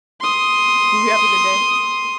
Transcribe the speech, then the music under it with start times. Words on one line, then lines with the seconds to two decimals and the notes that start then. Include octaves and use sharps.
You have a good day.
0.21 C6 D#6